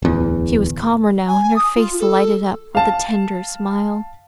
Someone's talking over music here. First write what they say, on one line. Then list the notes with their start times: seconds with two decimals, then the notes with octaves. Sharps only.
She was calmer now, and her face lighted up with a tender smile.
0.02 D1 E2
1.28 G#5
1.56 D#6
1.75 F4
2.00 A4
2.75 F5 A5